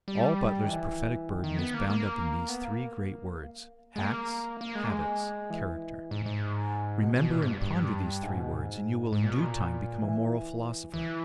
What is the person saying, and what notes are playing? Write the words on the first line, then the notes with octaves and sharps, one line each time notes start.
All Butler's prophetic burden is bound up in these three great words--acts, habits, character. Remember and ponder these three words, and you will in due time become a moral philosopher.
G3
D#3
E3
D#3
D#3
B3
A#3
A#3
B3
A#3
G#3
A#3
A#3
G#3
A#3
G#3
E3
G#2
G#2
B2
B2
A#2
G#2
G2
G2
G#2
B2
G#2
G#2
A#2
B2
A#2
E3
E3